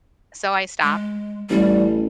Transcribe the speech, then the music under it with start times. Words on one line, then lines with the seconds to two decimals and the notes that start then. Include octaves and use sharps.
So I stopped
0.82 G#3
1.50 A1 G3